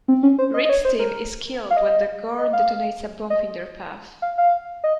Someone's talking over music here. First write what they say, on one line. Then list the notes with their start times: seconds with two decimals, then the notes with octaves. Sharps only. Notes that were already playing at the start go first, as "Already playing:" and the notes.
Reed's team is killed when the Gorn detonates a bomb in their path.
0.08 C4
0.23 C#4
0.39 C5
0.54 D#5
0.65 D#5
0.69 C#5
0.85 C5
0.99 A#4
1.70 F5
1.77 D#5
2.38 D#5
2.53 F5
3.30 D#5
4.22 F5
4.38 F5
4.84 D#5